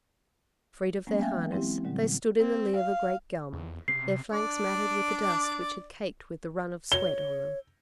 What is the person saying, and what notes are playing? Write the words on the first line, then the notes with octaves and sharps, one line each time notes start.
Freed of their harness, they stood in the lee of a great gum, their flanks matted with the dust which had caked with the run of sweat on them.
F#3 G#3 A#3 B3 C#4
E5 F5 G5 G#5
E3 F#3
G#3 C4 E4 G4
A#2 D3 F#3 G3
C4
F5
E2
C3 C7
D4 D5
C#5 G7